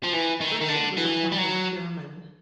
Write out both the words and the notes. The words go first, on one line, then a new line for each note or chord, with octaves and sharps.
Percy was appointed chairman.
F3
E3
D#3
D#3
D3
E3
G3
F#3